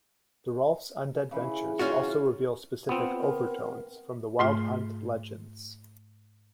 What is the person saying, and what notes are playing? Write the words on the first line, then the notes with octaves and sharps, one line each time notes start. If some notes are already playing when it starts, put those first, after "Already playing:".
Thorolf's undead ventures also reveal specific overtones from the Wild Hunt legends.
C#3 E3
C#4 F4 F#4
B3 C4 F4
A#4
G#2 A3 F4